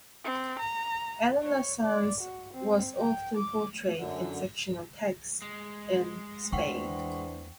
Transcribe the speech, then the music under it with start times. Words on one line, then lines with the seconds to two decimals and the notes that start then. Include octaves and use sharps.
Elena Sanz was often portrayed in fictional texts in Spain.
0.25 C4
0.59 A#5
1.43 C#5
1.83 D5
2.20 F#4
2.53 C4
2.97 G5
3.37 D6
3.96 F#2 D3
5.42 G#3
6.52 E2 E3 D4 C5 F#5 G5 C#6